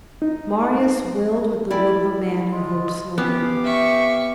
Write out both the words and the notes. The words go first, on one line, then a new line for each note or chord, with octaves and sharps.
Marius willed with the will of a man who hopes no more.
D#4
E4 D5 G5
G#3 F4
B3 C#4 G4 F5 D6
E5 C#6